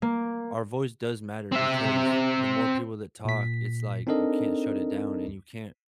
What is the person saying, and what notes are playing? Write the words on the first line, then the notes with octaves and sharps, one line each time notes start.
our voice does matter, because the more people that talk, it's like, you can't shut it down, and you can't
A#3
C4 E5
A#2 B6
C4 D4 D#4 A4 A#4 D#5